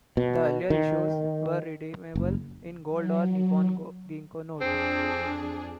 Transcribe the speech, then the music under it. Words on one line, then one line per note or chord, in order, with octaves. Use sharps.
The earlier issues were redeemable "in Gold or Nippon Ginko Note".
B2
D#3
F#1
F#3
F2 C4 D4 G#4